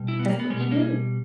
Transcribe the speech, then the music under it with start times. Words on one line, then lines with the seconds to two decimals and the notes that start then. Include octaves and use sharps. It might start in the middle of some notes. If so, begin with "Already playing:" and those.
That's what you do.
Already playing: B2 G3
0.08 E4
0.19 B3
0.29 A#3
0.40 B3
0.50 B2 G3 G#3
0.61 B3
0.71 A#3
0.82 G#4